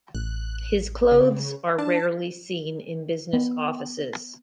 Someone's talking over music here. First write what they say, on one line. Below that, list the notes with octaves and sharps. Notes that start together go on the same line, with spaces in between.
His clothes are rarely seen in business offices.
A1 F#6
C#3
D4 A5
B3